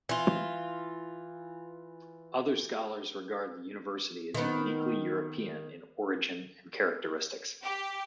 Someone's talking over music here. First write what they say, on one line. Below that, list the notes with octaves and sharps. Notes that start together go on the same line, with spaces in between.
Other scholars regard the university as uniquely European in origin and characteristics.
E3 F4
D#3 B3
G4